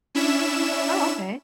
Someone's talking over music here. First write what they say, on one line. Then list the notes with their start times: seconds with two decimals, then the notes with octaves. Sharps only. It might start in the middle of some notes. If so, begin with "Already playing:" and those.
Oh, okay.
0.15 C#4 D4 E4 E5 E7